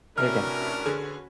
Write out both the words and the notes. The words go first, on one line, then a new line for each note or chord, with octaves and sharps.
They're done,
A2 C3 C#4 D4 F#4 A#4 B4 F6
D3 G#4